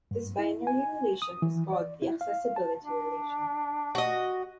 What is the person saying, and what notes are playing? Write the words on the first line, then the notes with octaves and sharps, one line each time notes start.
This binary relation is called the "accessibility relation".
G2
E4
G#5
D#6
E3
D5
E4
F5
A5
D4
F#4 D#5